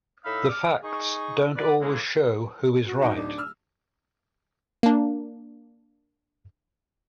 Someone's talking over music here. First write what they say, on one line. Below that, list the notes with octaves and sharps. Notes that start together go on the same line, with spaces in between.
The facts don't always show who is right.
A2 D#4 E5 F5 B5 E6
D6 F6
D#4 G#4 C#6
B4 D5
A2 C#3 E3 G#3 A#3
F#4
D1 D#4
D4
E6 F6
A#3 D4